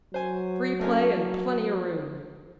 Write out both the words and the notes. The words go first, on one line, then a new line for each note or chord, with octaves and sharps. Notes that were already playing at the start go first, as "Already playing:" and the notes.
"Free play and plenty of room."
F#3 C5 G#5
A3 A#3 C#4